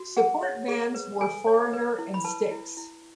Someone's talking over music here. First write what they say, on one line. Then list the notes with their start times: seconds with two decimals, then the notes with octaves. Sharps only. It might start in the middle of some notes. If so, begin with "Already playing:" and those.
Support bands were Foreigner and Styx.
Already playing: F#4
0.17 G#4 F#5
0.43 C#5
0.68 G#4
0.94 B4
1.21 A4 G#5
1.47 C#5
1.73 B4
1.99 E4
2.14 B5
2.24 B4 A5
2.51 E4
2.77 E4